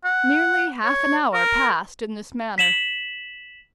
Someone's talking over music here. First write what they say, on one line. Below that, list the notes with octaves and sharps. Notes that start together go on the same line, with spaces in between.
Nearly half an hour passed in this manner.
F#5
C#5
A#4
B6 E7 F#7